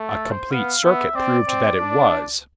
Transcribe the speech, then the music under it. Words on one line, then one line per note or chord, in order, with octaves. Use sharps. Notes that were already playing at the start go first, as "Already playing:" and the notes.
A complete circuit proved that it was.
Already playing: A3
A4
C5
B3 F5
B3 E5
C4 D5
C4
D4